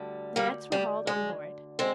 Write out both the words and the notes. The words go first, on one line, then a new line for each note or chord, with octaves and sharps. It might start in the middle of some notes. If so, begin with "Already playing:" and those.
The nets were hauled on board.
Already playing: D2 D3 G3
G3 A#3
G3
G#3
G#3 C4